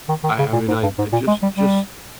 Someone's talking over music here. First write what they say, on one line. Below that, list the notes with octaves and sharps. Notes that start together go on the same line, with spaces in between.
I I mean, I I just just
D#3
D#3
C#3
A#2
G#2
G2
G#2
A#2
G#3
G3
G3